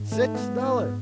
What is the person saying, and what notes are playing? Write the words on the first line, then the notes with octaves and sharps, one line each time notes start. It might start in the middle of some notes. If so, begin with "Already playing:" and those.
"Six dollars."
Already playing: G#2
A3
B3
B3